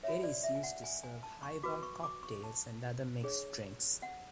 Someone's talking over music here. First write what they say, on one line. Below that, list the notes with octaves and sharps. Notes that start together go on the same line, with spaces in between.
It is used to serve highball cocktails and other mixed drinks.
F#4 C#5 E5
D5
E5
G#5
F#5
G#5
G#5
A5
C#6
F#4 B4 D6
C#6
D6
C#6
A5
D4 G#4 C#5
F#5